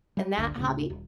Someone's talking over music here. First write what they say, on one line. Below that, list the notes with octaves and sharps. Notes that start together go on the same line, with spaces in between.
in that hobby.
G3
G1 D2
D1 A2 C#3
D#1